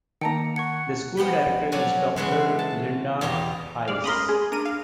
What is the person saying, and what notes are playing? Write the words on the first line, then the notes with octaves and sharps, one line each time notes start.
The School Director is Doctor Lynda Hayes.
D#3 A#3 G5 A5 A#5 C#7
F#5 C#6 G#6 C#7
F3 B3 G5 B5
F3 F#3 C#4 F#4 D5
C#3 E3 G#3 F#4 B4
A5
E2 B2 G4 A#5
G#3 D5 F5
C#4 A#4 D#5 B5 C6
G#4
D4 A#4 D#7
F5